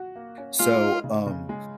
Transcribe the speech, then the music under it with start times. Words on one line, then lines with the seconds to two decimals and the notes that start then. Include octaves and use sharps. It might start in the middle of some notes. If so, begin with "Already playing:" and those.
So, um,
Already playing: F#4
0.16 A#3
0.38 C#4
0.59 G#3 F4
0.81 D#4
1.04 C#3
1.26 C#3
1.49 G#3